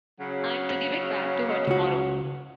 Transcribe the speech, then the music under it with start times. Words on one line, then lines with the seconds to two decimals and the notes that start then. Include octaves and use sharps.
I’m to give it back to her tomorrow.
0.20 C#3 F#3
1.67 C#2 F#4